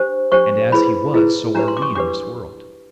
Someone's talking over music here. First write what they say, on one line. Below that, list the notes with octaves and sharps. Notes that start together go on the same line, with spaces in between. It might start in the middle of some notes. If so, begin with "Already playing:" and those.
And, as He was, so are we in this world.
Already playing: D4 G4 C5
D4 G4 C5 C#6
E4 G#4 B4 B5
E4 G#4 B4
D4 G4 B4 A#5
C6
D6
C#6
D4 G4 B4 D6